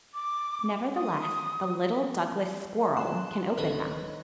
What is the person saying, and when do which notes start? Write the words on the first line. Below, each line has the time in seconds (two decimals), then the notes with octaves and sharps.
Nevertheless the little Douglas Squirrel can open them.
0.14 D6
0.96 D#6
2.97 C6 F#6 E7
3.58 D1 D#3 C4 A4 B4 C#5 D#5